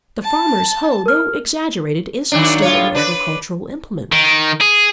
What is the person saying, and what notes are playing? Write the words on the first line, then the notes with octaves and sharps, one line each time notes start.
The farmer's hoe, though exaggerated, is still an agricultural implement.
A5
A#4 F6
D#3 F#3 D4
A2 F4 C#5
D4 B4
D#3
G#4